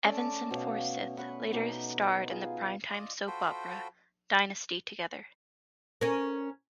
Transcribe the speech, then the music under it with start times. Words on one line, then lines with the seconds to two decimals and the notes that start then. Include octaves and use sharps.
Evans and Forsythe later starred in the primetime soap opera "Dynasty" together.
0.04 A3 C#4 D5
0.51 B2 C#5 F5
1.17 B4 F#5 C#6
1.53 B2 D#4 D6
2.29 F4 G#4
2.90 F4 D5 D#5
3.27 F4 F#4 A4 C5 G5 B5
6.01 C#4 A#4